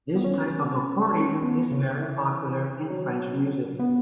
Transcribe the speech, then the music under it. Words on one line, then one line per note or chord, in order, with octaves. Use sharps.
This type of accordion is very popular in French music.
B3
C#4
C#4
B3
C#3
E3
F#3
B3